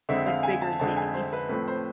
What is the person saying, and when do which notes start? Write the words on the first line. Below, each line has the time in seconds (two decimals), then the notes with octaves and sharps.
like, bigger ziti.
0.09 F2 D3 G#3 C4 E5
0.26 F5
0.43 G#5
0.62 A5
0.79 F2 D3 G#3 C4 A5
0.97 G#5
1.14 C5
1.33 B4
1.49 A2 F3 A3 C4 B4
1.68 C5